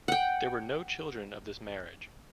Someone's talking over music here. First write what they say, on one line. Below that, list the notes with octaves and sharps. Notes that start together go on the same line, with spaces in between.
There were no children of this marriage.
F#5 G5